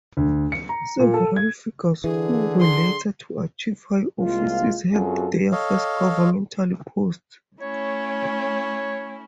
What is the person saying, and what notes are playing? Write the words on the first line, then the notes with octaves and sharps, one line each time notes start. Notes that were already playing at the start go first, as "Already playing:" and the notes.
Several figures who were later to achieve high offices held their first governmental posts.
D2
C#7
A#5
A#2
A4
G#6
D3 E3 G#4
C6
C2 G#3 A#3 F4
F#2 C4 F4 F#4 G#4 A4
A4 C#5 D#5 F5
A3 C#4 E4 C#5